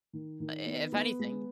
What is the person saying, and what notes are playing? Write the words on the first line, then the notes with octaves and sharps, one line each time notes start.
I if anything.
D#3
D#3
B3
B3
G#3